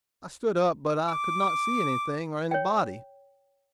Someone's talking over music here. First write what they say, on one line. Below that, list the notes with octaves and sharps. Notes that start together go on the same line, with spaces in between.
I stood up, but I could not see anything or anybody.
D6
C#5 G5